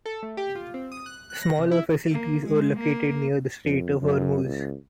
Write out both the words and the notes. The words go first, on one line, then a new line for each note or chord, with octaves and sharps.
Smaller facilities were located near the Strait of Hormuz.
A4
A3
G4
F4
C4
D#6
F#6
F#6
A#6
C3
E4
A#3
G#3
A#3
F2
F#2
C#2